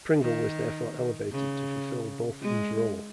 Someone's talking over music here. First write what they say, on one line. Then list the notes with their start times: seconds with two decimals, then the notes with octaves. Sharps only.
Pringle was therefore elevated to fulfill Botham's role.
0.22 D#3
1.32 C#3
2.42 G#3